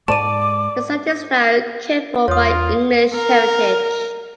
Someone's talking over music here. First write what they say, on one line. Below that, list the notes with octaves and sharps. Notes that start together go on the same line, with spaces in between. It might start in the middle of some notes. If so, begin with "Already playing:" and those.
The site is now cared for by English Heritage.
G#2 G#3 D5 A5 D6 D#7
E2 F4 C#5 D#6
A#4